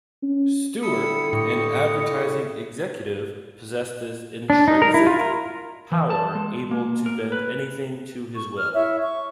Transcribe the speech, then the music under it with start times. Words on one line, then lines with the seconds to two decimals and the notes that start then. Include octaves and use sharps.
Stuart, an advertising executive, possesses intrinsic power, able to bend anything to his will.
0.23 C#4
0.82 D3 G3 E4 B5 D#6 E6 C#7
1.33 A2 G4 C#5 D#5
4.50 D4
4.68 D#4
4.82 A#4
4.94 E4
5.07 F4
5.21 A#4
5.92 E3
6.10 A5
6.35 G#3
6.71 A#3
7.06 A#4
7.32 B4
8.36 C#6
8.56 F6
8.74 E4 C#5 E5
9.01 C#6